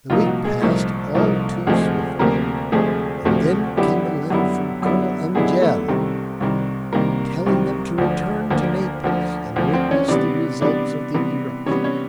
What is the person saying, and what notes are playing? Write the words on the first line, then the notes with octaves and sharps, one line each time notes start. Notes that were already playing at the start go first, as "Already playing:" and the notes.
The week passed all too swiftly, and then came a letter from Colonel Angeli telling them to return to Naples and witness the results of the eruption.
C2 A#2 F3 A#3 D#4 F4
F#4
G#3 G#4
C2 A#2 F3 A3 A#3 D#4 A4
C2 A#2 F3 A#3 D#4
D2 C3 F3 G#3 A3 G#4
D2 C3 F3 A3 A#3 A#4
D2 C3 F3 G#3 A3 G#4
D2 C3 F3 A3 F#4
F#2 D3 G3 B3 E4 G4
F#2 D3 G3 B3 E4
F#2 D3 G3 B3 E4
F#2 D3 G3 G#3 B3 E4 G#4
A3 A4
C2 C3 D#3 G3
C2 C3 D#3 G3
C2 C3 D#3 G3 A#3 A#4
C2 C3 D#3 G3
D2 D3 F3
D2 D3 F3 A#3 A#4
D2 D3 F3
D2 D3 F3
C4 C5
C#4 C#5
C3 E3 G3 B3 D4 D5
C3 E3 G3 B3 D4 D5
C3 E3 G3 B3
C3 E3 G3 B3 C#4 C#5
C#4 C#5